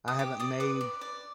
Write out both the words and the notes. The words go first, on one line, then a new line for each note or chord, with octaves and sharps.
I haven't made
D#6
G4 D6
D5 D#6
B4 D6
D5
D5